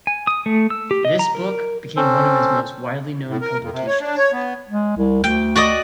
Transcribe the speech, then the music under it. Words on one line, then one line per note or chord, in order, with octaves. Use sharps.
This book became one of his most widely known publications.
G#5
D#6
A3
E6
G4
D#5
A#5
A#4
C4 C#4 A4 C5
A2
A#4
F2
C3
C#5
D4
C#5
B3
G#3
C2
D2 G5
F#4 D5 D#5